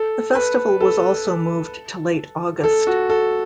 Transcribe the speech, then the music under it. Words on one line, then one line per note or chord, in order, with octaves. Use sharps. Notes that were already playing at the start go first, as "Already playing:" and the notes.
The festival was also moved to late August.
Already playing: A4
B4
A4
A4
F#4
A4